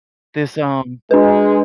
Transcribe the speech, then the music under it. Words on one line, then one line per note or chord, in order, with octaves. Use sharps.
this, um
G#3 D4 B4